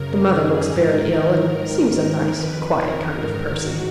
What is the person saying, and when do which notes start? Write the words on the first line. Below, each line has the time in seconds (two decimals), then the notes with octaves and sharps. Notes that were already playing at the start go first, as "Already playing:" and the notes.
The mother looks very ill, and seems a nice, quiet kind of person.'
Already playing: F#2 C#3 A#4
0.25 G#4
0.66 G#2 D#3 A#4
1.50 G#2 D#3
1.92 A#4
2.33 F2 D#3 B4
2.76 A#4
3.17 G#2 D#3 A#4
3.60 F#4